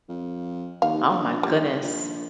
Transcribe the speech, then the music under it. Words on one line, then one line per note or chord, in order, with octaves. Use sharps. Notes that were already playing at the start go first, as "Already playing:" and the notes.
Oh my goodness.
F2
D#2 F5
A#1
G3
A#1